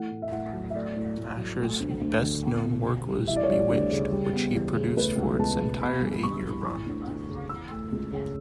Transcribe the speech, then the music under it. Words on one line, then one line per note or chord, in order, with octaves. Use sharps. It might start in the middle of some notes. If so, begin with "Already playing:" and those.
Asher's best known work was "Bewitched", which he produced for its entire eight-year run.
Already playing: E3 A3 F#5
A2
E5
A2 F#5
F#3
E5
A3 D5
A2
A2
F#3
A3
D2
D2
D3
B3
B2
B2
G3
E3 E5
D5
C#5
G3 D5
D2
C#3
G3
B3
E2
C#3
A3 B4
C#2
C#2 A5
B2
B3 B5
G2
G2 C#6
E3
D6
E3 C#6
D2
D2
C#3
E3 E6
A3
C#2
C#3